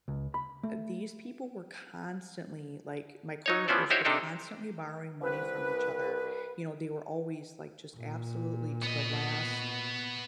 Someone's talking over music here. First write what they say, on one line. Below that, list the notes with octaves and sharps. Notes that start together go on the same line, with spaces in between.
uh, these people were constantly like, my coworkers were constantly borrowing money from each other. You know, they were always, like, just absolutely to the last,
C#2
B5
A3
F#3 D#4 C#5
E3 F3 B3 C#4 C5 D5
D#4 E4 F#4 G4 C5 C#5
C3 D4 D#4 A4 A#4
C2 B4
A#2
B3 D#5